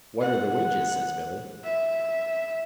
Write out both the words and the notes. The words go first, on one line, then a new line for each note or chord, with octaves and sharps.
"What are the wages?" says Billy.
F#5
E5